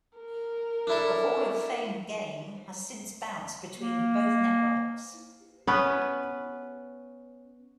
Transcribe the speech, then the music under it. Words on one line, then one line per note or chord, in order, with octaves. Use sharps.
The Hall of Fame Game has since bounced between both networks.
A#4
D4 E4 A4
A#3
B3 C#4 B4